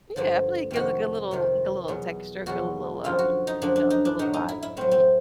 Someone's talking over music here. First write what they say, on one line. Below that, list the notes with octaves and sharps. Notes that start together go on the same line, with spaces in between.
Yeah, I feel like gives a good little good little texture, good little, um, you know, good little vibe, mhm.
G2 D3 F3
F2 C3 D#3 F#4
F2 C3 D#3
E2 B2 F#3
E2 B2 F#3 F#4
F#2 D3 F3 F4
F#4
D#4
F#2 D3 F3 D4
D4
D#4
D4
A2 F#3 D#4
D#4
E4
E4
A2 F#3 C4
C4